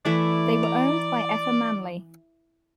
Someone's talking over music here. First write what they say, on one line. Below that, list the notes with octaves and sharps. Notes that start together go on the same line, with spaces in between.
They were owned by Effa Manley.
E3 A3 E4 D5
A#5